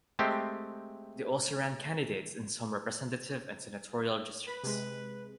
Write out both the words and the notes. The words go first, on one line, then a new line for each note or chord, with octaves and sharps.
They also ran candidates in some representative and senatorial districts.
G#3 A3 C4 G4
B4 B5
C3 G#3